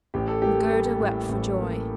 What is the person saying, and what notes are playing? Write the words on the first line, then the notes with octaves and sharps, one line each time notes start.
And Gerda wept for joy.
A1 G4
A4
A#3 G4
G3
A2
A1
A#3